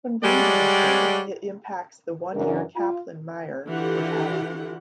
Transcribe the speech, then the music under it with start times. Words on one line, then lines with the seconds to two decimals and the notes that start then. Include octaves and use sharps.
When bleeding occurs, it impacts the one year Kaplan-Meier mortality.
0.24 G3 G#3 G4 C#5 D5 F#5
2.34 F#2 C#3 E3 D4 A#4
2.76 F4
3.67 D3 E3 F4 G4 F#5